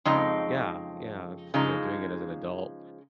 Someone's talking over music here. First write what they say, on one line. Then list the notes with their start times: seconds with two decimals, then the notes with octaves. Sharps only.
Yeah. Yeah, it's you know, doing it as an adult,
0.05 F2 C#3 G#3 C4 D#4
1.54 C#3 F3 G#3 D#4